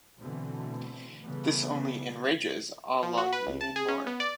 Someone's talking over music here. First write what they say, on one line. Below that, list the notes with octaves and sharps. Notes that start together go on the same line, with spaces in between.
This only enrages Ah Lung even more.
B2 D3 E3 A3 C4
C#3 E3 G3 A3 B3
F3
F#4
B4
C#2
A5
G#4
C#4
B3
D5